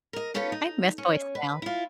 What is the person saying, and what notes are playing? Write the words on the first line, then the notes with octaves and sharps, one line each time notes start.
I miss voicemail.
A#4 D#5
B3 C#4 D#4 F4 A4 B4
D#4
C#4
B4
E4 F4